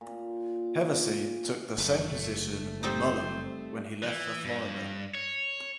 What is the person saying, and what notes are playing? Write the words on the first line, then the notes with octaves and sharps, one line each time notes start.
Hevesy took the same position with Mullen when he left for Florida.
A#2
F#1 A3
G3 C4 D#4 C5
E3
G2
C#5